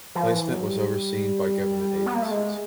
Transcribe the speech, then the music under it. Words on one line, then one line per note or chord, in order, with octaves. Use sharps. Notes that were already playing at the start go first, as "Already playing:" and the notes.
Placement was overseen by government agencies.
F3
E3
F#3
G3
B3
A#3
A3
G#3